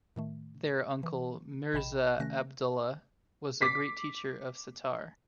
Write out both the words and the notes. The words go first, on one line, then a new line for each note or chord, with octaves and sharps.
Their uncle Mirza Abdollah was a great teacher of setar.
A2 D#3 A3
E3
A1 B2 D#5 G5 B5 E7
C3 D#3 A3 C#4 F#6 A#6
D6 B6 C7